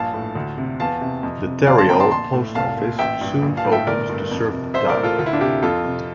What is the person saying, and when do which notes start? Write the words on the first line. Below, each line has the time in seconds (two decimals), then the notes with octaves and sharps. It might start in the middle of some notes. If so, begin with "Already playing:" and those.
The Tarryall Post Office soon opened to serve the town.
Already playing: A#1 G2 F5 A5
0.14 A2
0.35 D2
0.58 C3
0.80 E2 F5 A5
1.01 C3
1.23 F2
1.46 C3
1.67 G1 D5 F5
1.78 A5 C6
1.89 F2 G5 A#5
2.00 A5 C6
2.11 A#1 A5 C6
2.33 A2
2.55 C2 F5 A5
2.77 A#2
2.99 A1 E5 G5
3.21 G2
3.43 A#1
3.57 F5 A5
3.65 A2
3.72 E5 G5
3.87 G1 A#4 D5
4.09 G2
4.31 F2
4.53 C3
4.74 A1 C5 E5
4.89 A#4 D5
4.97 A2
5.03 F4 A4
5.19 D2 F4
5.26 E4
5.33 D4 F4
5.41 C3 E4 G4
5.62 F2 F4 A4
5.85 C3